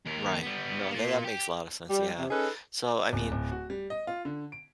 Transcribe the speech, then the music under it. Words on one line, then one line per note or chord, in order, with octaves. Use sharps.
Right. No, that that makes a lotta sense, yeah. So, I mean
D#2 A#4
G3 B3
A#3 F4
G4
G3
C3
C#4 D#4 G#4 A4 B4
D1
D1
F#4
G3
D#5
F4
D3
D7